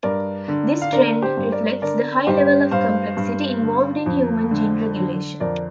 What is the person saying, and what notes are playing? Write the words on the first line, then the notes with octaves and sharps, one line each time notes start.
This trend reflects the high level of complexity involved in human gene regulation.
G2 A#4 D5
D3
F5
D3 A#4 D5
G4 C5
G2
A#4 D5
D3 A#4 D5
G2 G4 C5
G2 C5 F5
G2
D3
F2
D3
D3
F2 A#4 D5